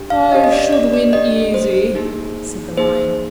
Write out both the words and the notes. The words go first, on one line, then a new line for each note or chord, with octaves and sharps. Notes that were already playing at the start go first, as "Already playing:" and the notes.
'I should win easy,' said the Lion.
Already playing: D4 G4
F5
D4 G4 D#5
D#5
D5
D5
D5
D4 G4 D#5
C5
A#3 D#4 G#4
A#3 D#4 G#4 C5